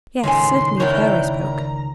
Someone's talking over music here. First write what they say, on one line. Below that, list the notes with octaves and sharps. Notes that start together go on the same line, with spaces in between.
"Yes, certainly, of her I spoke."
C#2 A2 D#3 G#5 C6
A2 D4 E4 A#4 C#5 G6
A#5